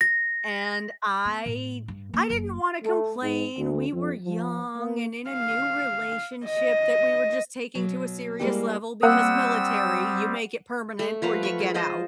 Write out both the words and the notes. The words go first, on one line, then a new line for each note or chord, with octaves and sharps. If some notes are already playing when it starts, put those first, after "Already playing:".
And I I didn't wanna complain, we were young and in a new relationship that we were just taking to a serious level because military, you make it permanent or you get out.
A#6
B3
A2
G2
A#3
F#1
A3
G#2
D2
F2
F3
A#3
F5
D#5
B2 F#3
G3 G#3 A#3 D#4 E4 G4
G3 A#3 C4 F#5 D#6 E6 F#6
A3
F3 B4 F5 F#5
B5 C#6
G#3
F4 C5 D#5